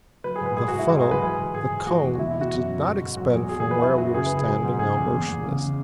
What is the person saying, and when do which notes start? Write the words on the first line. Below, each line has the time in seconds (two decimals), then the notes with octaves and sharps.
The funnel, the cone, did not expand from where we were standing, now motionless.
0.24 F#3 B4
0.36 G#4
0.41 G#2
0.46 B4
0.57 G#2 G#4
0.68 F#4
0.73 G#2
0.79 E4
0.89 G#2 F#4
1.01 G#4
1.06 F#3
1.11 B4
1.22 E3 G#4
1.38 G#2
1.54 G#2 G#4
1.71 G#2
1.86 E3 F#4
2.03 E2
2.15 F#4
2.19 B2 E4
2.31 E4
2.36 B2
2.41 F#4
2.52 F#2
2.68 F#2
2.84 G#2
3.00 G#2
3.17 F#3 F#4
3.33 E2 G#4
3.49 F#3 G#4
3.60 G#4
3.66 E2
3.71 B4
3.81 F#3 E4
3.98 F#2 F#4
4.14 C#3 G#4
4.26 C#3 B4
4.37 G#4
4.47 F#3
4.63 G#2
4.79 C#3 G#4
4.96 E2
5.12 E2
5.28 E2
5.44 C#3
5.61 C#3